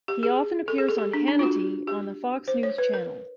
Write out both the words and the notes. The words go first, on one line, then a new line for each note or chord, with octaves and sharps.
He often appears on "Hannity" on the Fox News Channel.
G4
G#4
A4
G#4
A4
G4
D4
D4
F4
F#4
G4
C5
C#5
B4
A#4